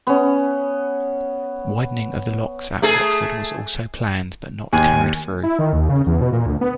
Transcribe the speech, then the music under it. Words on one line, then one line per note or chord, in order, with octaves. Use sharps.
Widening of the locks at Watford was also planned, but not carried through.
B3 C#4
A3 G#4 A4
D#2 G#5
E4
D#3
D#2
C#3
E2
B2
A#2
D2
B3